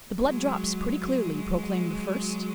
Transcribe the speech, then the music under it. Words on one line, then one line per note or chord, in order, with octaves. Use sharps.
The blood drops pretty clearly, proclaimed the first.
F#3 G#3
F#3 G#3